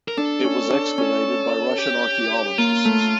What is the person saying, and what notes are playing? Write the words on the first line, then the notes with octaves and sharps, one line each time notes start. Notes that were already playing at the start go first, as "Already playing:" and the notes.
It was excavated by Russian archaeologists.
A#4
D4 A4
C#4
D4
C#4
G4
A#3 F4
A3